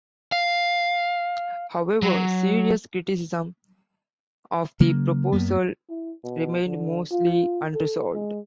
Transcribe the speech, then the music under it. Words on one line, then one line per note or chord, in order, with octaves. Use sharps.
However, serious criticisms of the proposal remained mostly unresolved.
F5
F#3
C#3 F#3 A#3
F#2 F#3 A#3 B3
E4
B2
D3
F4
A4
G#3